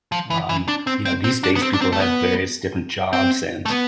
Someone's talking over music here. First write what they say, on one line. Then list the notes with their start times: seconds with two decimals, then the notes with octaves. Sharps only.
um, you know, these days people have various different jobs and
0.12 F3
0.30 E3
0.49 E3
0.68 D4
0.87 C4
1.05 C4
1.24 C4
1.44 D4
1.56 B3
1.62 C4
1.74 D4
1.81 C4
1.92 A3
2.00 B3
3.13 C4
3.66 A3
3.69 B3